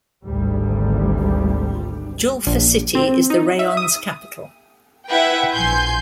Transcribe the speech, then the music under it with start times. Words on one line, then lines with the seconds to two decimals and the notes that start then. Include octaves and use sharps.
Julfa city is the rayon's capital.
0.24 G#1 D2 G3
2.47 A#1
2.95 C4
3.30 D#4
3.59 E5
3.77 D#6
5.08 E4 B4 E5 F#5 G5
5.54 A#1 F3 G#5 C6 G6